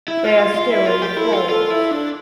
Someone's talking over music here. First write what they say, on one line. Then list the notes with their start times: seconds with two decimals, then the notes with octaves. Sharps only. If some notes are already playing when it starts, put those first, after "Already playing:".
They are still in force.
0.08 E4
0.24 F4
0.39 F4
0.54 F4
0.70 E4
0.85 F4 A#4
1.02 G4
1.17 E4 A4
1.26 A#4
1.32 F4 A4
1.49 F4 A4
1.70 E4
1.91 D4